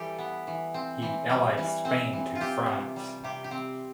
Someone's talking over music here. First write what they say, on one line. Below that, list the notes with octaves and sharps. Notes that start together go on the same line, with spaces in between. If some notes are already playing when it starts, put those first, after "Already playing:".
He allied Spain to France.
Already playing: E3 G3 G4 A4
B3
E3
C4
E3
G3
E3
C4
E3
F4
C4 G4
C3
G3
C3 G4
G4
C4